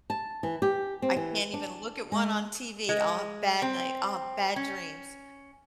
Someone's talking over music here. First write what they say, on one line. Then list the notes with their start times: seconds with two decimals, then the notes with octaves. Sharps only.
I can't even look at one on TV, I'll have bad night, I'll have bad dreams.
0.10 A5
0.43 E3
0.62 G4
1.02 C4
1.16 E3
1.54 D4
2.12 G#3
2.89 G#3
3.62 C4
4.56 C#4